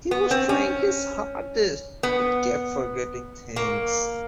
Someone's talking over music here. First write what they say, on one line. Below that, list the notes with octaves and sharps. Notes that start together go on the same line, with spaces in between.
He was trying his hardest, but kept forgetting things.
B3
C4
C#4
B3
A#3